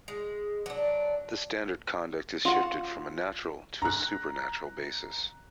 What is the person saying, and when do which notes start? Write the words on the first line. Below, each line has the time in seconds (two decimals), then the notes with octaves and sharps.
The standard conduct is shifted from a natural to a supernatural basis.
0.08 G#3
0.66 F#3 D4
2.45 F4 F#4 F#5
3.82 A#5 F#6